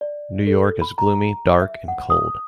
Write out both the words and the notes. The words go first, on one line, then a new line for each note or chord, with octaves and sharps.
New York is gloomy, dark and cold.
D5
A4
B5
A#5
E5
F#5
D#6